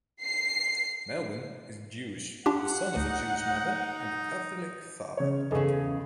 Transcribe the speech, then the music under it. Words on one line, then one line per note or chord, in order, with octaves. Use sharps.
Melvin is Jewish, the son of a Jewish mother and a Catholic father.
C7
D4 F4 G4 F#5
D2 D#4
C#3 C#5
E2 C#3 G#4 A4 D#5